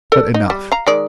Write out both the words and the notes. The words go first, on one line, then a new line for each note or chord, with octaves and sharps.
But enough....
A4 A#4 D5
D#4
G3
F5 A#5
D#3 G#3 D5